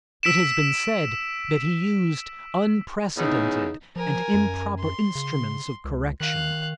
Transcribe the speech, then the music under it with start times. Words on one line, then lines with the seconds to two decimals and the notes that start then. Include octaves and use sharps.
It has been said, that he used unprecedented and improper instruments of correction.
0.23 E6 B6 D7 E7
3.17 E2 C#3 D#4
3.96 F3 A#4 G#5
4.34 F#2
4.80 C6
5.15 C#3
5.85 C#2
6.20 D#3 F5 F#6